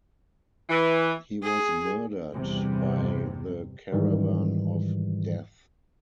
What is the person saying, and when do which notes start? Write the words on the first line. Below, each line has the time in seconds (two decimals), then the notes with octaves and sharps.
He was murdered by the Caravan of Death.
0.69 E3
1.43 G#4
2.33 G1 E2 C3 G3
3.92 G#2 D#3 E3 G3